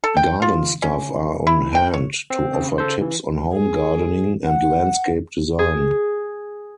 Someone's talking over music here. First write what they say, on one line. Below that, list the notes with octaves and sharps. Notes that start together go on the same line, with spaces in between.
Garden staff are on hand to offer tips on home gardening and landscape design.
A4
G5
F4
C#4
E4
G5
C#5
C4
C#3
A4 C5
E3
G#4
F#5
G#4